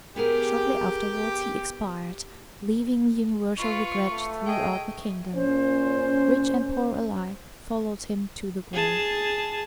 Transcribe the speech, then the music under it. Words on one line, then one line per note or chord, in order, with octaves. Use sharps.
Shortly afterwards he expired, leaving universal regret throughout the kingdom; rich and poor alike followed him to the grave.
B3 G4 G#4 A#4
F4 B4 C#6
A3
G#4 D#5 G5
A#2 C#4 C5
G#4 A5